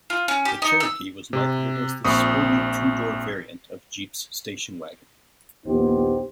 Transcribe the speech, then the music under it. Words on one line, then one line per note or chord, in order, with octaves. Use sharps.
The Cherokee was marketed as the "sporty" two-door variant of Jeep's station wagon.
F4
C#4
G4
D#4
E6
C3
A#1 C4 C#6 D#6
A#1 D#2 B3 D#4 G4 C5